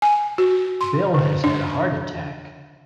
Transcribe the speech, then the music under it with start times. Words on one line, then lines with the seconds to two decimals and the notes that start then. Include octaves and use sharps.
Bill has had a heart attack!
0.02 G#5
0.38 F#4
0.81 C6
1.14 D3
1.44 D4